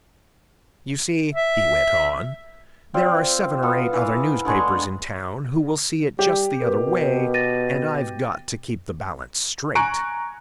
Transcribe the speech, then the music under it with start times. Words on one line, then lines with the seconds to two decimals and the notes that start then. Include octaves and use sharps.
"You see," he went on, "there are seven or eight other newspapers in town who will see it just the other way and I've got to keep the balance straight."
1.34 E5
2.94 C4 F4 D5
3.63 B3 F4 A4
3.93 E3 B4 F5
4.45 D3 G#3 G#4 C#6
6.19 G3 G4
6.61 B2 A#4 B4
7.34 A6 A#6 D#7
9.75 G#5 A#5 C#6 F#6 C#7 D7